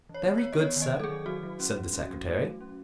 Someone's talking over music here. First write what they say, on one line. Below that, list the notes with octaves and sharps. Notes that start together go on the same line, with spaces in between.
"Very good, sir," said the secretary.
E3
C#5
B3
B3 C#5
D#5
B3 C#5
D#3
D#5
F#3
A4
G#4
D#3
F#3 F#4
F#3
C#4
C#4
C#4
F#3
A3
F#3
C#4